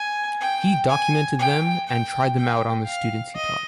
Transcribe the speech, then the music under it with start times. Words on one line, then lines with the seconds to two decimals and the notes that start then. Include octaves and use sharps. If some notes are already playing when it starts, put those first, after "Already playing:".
He documented them, and tried them out on the students he taught.
Already playing: G#5
0.40 G5
0.89 G#5
1.39 G5
1.87 G5
2.37 G5
2.86 F5
3.35 D#5